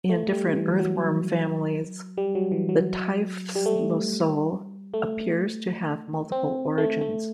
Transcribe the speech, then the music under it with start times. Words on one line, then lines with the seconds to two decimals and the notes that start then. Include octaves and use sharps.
In different earthworm families, the typhlosole appears to have multiple origins.
0.10 A3
0.33 G3
0.56 E3
0.79 F#3
2.18 G3
2.35 F#3
2.52 E3
2.69 F#3
3.55 G3
3.66 A3
3.76 G3
4.94 A3
6.32 C4
6.78 A3
7.01 A3